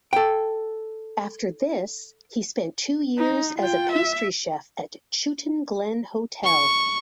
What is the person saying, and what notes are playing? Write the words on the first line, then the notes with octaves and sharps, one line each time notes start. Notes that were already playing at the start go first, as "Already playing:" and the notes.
After this he spent two years as a Pastry Chef at Chewton Glen Hotel.
A4 G5
D#4
F4 G5
E5
C#6